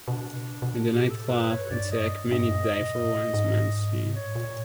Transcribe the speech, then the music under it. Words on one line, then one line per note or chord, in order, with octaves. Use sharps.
In the nightclub attack, many die for one man’s sin.
B2 D4
C3
B2
B2
A2 G4
A4
G2 B4
C#5
G2 D5
F#2 D#5
G2
G2 D#5
F2
F#2
B2
A2
G#2
A2 C#5
A#2